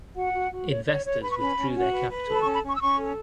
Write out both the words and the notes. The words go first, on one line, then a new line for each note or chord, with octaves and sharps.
Investors withdrew their capital.
F#4 F#5
F#4
F#4
C#5
C#5
C#5
B4 B5
C#6
C#4 B5
C#4
F#4
B4
B4
A4
B5
C#6
C#4
B5
C#4 C#6
E6
C#4 C#6
A4